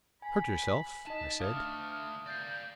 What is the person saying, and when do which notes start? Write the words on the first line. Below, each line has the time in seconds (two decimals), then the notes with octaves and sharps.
"Hurt yourself?" I said.
0.22 G#5 B5
1.07 D#4 D#5 A5
1.40 A3 D4 E5 F5 D#6 F6
2.27 D5 F5 G6